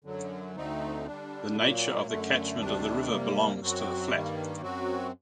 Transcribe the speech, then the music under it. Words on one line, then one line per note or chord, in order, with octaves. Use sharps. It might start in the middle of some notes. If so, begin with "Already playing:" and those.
The nature of the catchment of the river belongs to the flat.
F#2 D3 F#3
D2 D3 A3 C4 D#4
D3 G3 D4
A#2 F#3 A#3
F#2 D3 A3
D2 C3 D#3 G3 D4
C3 G3 A#3
F#2 F#3 C4 F#4
G2 D#3 G3 A#3
F#2 F#3 C4 F#4